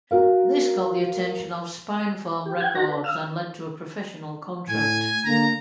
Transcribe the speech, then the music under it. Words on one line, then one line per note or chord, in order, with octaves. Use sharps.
This got the attention of Spinefarm Records and led to a professional contract.
F#4 A#4 F5
G4
F#5 G5 G#6
F#4 F#5 A#6
B4
F5 E6 F6
A2 G#5
D3 A#3 A#5